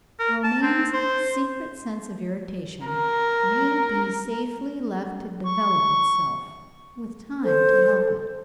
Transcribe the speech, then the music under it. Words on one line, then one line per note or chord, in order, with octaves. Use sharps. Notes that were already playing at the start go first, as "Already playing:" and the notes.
Romayne's secret sense of irritation may be safely left to develop itself, with time to help it.
A#4
A5
C4
C5
A#4
C#6
A4 C5